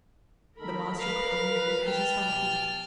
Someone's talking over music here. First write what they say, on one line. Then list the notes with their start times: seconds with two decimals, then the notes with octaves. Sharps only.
The master could only look his astonishment.
0.58 D#3 A3 A4 A#4 B5
0.99 B4 F5
1.86 G5 A5 F6
2.22 B2 G4